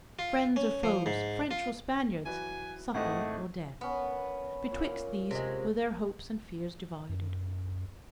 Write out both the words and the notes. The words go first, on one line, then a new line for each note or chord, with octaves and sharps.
Friends or foes, French or Spaniards, succor or death,--betwixt these were their hopes and fears divided.
F4
C#4
F3
G#2
F4
E3 F#3 B4 G#5
G#1 A3 C4 E4 G#4 D#5 F#5
B3 C#4 A#4 B5
A#2 C#5
C3 G#3
F#2